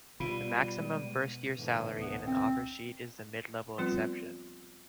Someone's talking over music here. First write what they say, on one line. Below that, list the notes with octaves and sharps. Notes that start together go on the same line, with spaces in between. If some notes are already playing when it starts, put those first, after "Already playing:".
The maximum first-year salary in an offer sheet is the mid-level exception.
B2 G3 F4 B5
G#3
G#2 D3 E3
C#2 B3
C4
F3 G3 B3 C4 F4